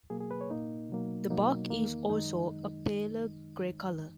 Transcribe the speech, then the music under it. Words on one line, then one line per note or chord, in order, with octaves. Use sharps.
The bark is also a paler gray color.
B2 F#3 A#3 G#4
G#4
B4
C#5
A#2 A#3 D#4
B2 F#3 A#3
B2 F#3 A#3 D#4
E2 D#3 A#3
F#2 D#3 G#3 D#4